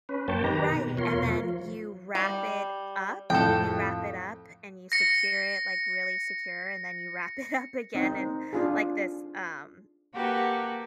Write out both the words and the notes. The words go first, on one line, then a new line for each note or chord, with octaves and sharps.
right, and then you wrap it up you wrap it up and you secure it, like, really secure and then you wrap it up again in, like, this, um,
C#4 B4
F#2 A#3 C#5 G5 A5
D#3 G4 B4 A#5
B2
E2 B2 F4 A#4 C#5 C6
F3
G3
F2 A2 A4 G5
A#6 C#7
C4 D#4 C5
D4 F4 G#4
A#3 F#4 G4 A4 B4